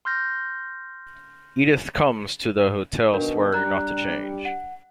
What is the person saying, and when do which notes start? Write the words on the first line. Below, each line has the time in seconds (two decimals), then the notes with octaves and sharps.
Edith comes to the hotel swearing not to change.
0.05 C6 F6 G6 A#6
3.13 B2 D#3 D4 A#4
3.53 G3 D4 G4 A#5 F#6
4.45 F#5